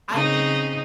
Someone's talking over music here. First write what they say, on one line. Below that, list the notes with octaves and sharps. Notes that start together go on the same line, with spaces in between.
I didn't
C#3 C4 D#4